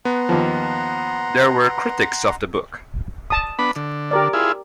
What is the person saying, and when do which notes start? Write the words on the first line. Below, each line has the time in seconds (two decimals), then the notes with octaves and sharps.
There were critics of the book.
0.05 B3 F#5 A#5 C6
0.29 D#2 F3
3.30 A5 D#6
3.59 B3 D4 B5
3.76 D3
4.11 G4 A#4 D5
4.33 E4 F4 G#4